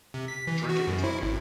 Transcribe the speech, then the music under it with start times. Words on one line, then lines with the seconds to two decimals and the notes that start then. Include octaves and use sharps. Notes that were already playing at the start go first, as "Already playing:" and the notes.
Drinking and talking.
0.14 C3
0.28 B6
0.47 E3
0.69 F#4
0.87 F#2
1.04 E4
1.23 G#1